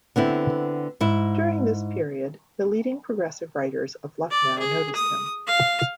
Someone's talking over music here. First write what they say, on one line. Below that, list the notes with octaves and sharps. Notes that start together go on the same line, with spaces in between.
During this period, the leading progressive writers of Lucknow noticed him.
D3 B3 C4 E4
G#2 E4
D5
G#4
D#6
F5